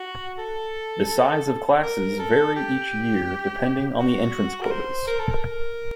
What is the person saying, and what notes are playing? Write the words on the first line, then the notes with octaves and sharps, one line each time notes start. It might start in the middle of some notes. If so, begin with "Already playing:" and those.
The size of classes vary each year, depending on the entrance quotas.
Already playing: F#4
A4
A#4
A4
G4
F#4
A#4
C5
A#4
A4
A#4